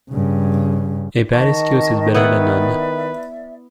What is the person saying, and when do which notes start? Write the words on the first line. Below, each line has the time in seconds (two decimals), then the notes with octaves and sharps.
A bad excuse is better then none.
0.10 G2 C#3
1.33 D#3 D#5 A5 C#6
2.14 B3 E4 B4 D5 E5 F#5